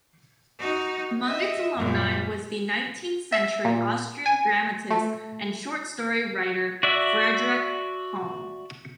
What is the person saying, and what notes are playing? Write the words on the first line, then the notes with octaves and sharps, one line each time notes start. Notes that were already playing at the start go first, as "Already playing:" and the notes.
Among its alumni was the nineteenth-century Austrian dramatist and short-story writer, Friedrich Halm.
D#4 F#4
D#5 E5
F#2 A#2
E5
A#2
G#5
A3
F#4 D5 E5